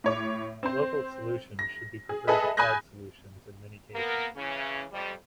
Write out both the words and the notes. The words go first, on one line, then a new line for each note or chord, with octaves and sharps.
Local solutions should be preferred to cloud solutions in many cases.
A2 C#5 D6
C4 C5
A#6
G#4
G#4 A4 B4 D#5 E5
G#5 B5 D#6 F#6 G6 A#6
A#3 B3 A#4
C#3 E3 C#4
F2 G3